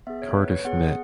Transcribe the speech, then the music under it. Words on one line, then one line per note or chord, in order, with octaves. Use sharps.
Cardiff Met.
B3 G#4 E5
C#5
B4
C#5
B3 G#4 F#5